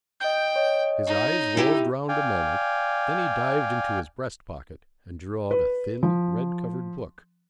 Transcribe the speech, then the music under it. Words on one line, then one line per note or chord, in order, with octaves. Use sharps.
His eyes roved round a moment; then he dived into his breast-pocket, and drew out a thin red-covered book.
D#5 G5 G6
C#5 D#5
D#4
E4 G4
D5 F5 G5 G#5
B4
F3